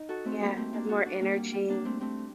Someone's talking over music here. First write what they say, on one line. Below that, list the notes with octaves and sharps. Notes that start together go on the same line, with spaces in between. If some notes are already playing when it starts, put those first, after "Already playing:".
Yeah, have more energy.
Already playing: D#4
F#4 A4
A3 C4
G3 A#3
A3 C4
A#3 D4
F#4 A4
D4 F#4
G3 A#3
G3
G3
A#3 D4
A3 C4
A3 C4